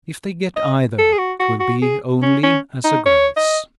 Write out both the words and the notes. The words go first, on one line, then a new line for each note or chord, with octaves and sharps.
If they get either, 'twill be only as a grace.
D#5
A4
G#4
F#4
F#4
F#4
G#4
C#4
C#4
D#4
C#5
D#5